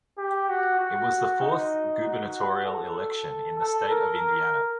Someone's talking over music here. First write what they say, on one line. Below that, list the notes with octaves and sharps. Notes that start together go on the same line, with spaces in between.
It was the fourth gubernatorial election in the State of Indiana.
G4
F#4
F#4
D#4
F#4
A4
A4
A#4